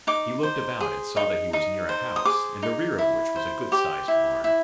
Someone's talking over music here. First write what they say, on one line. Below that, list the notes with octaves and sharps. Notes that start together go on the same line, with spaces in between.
He looked about, and saw that he was near a house, in the rear of which was a good-sized barn.
D#4 D6
C5
G#4
D#4
D#4
C5
D#6
G#4 D6
D#4
E4
C5
G4 D6
E4
E4